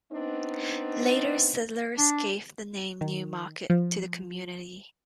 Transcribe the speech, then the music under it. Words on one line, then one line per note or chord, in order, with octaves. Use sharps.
Later settlers gave the name New Market to the community.
B3 C4 D4 D#4
D4
D#3
F3